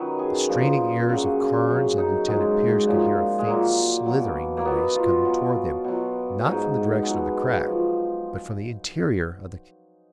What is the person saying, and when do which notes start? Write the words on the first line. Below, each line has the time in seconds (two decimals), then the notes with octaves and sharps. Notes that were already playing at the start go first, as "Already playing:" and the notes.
The straining ears of Carnes and Lieutenant Pearce could hear a faint slithering noise coming toward them, not from the direction of the crack, but from the interior of the cave.
Already playing: F#2 D#3 F#3 B4
0.19 G#4
0.49 A#2 F3 A#4
1.09 F#2 C#3 F#3
1.68 F#2 C#3 F#3
1.98 D#4
2.27 G#2 F#3 G#3
2.87 A#2 F3
3.39 G#3
3.46 A#2 F#3 A#3
4.06 B2 F#3
4.57 A#3
4.65 B2 F#3 B3
4.95 F4
5.25 B2 F#3
5.84 B2 F#3
6.44 G#2 F#3 D#4
7.03 B2 F#3 G#3
7.67 F3